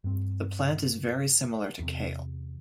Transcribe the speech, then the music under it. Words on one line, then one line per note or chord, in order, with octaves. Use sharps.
The plant is very similar to kale.
G2 C4
E2 C3